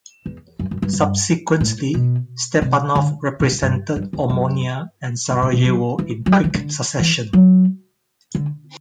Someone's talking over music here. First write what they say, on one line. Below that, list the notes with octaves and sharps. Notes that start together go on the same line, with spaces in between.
Subsequently, Stepanov represented Omonia and Sarajevo in quick succession.
E2
F#2
F#2
G2
G2
A2
B2
C3
D3
B2
A2
G2
G2
E2
F#2
G2
A2
B2
F#3
E3
F#3
G3
E3
D3
E3
F#3
D3